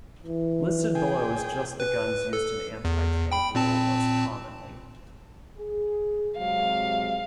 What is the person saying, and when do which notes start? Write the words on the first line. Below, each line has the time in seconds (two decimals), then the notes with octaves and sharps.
Listed below is just the guns used in anti-tank role most commonly.
0.23 E3
0.95 G#4 G5
1.80 B4
2.33 A4
2.85 E2
3.32 G5 B5
3.55 A#2 C4 A5
5.57 G#4
6.38 C3 F#3 G#3 F5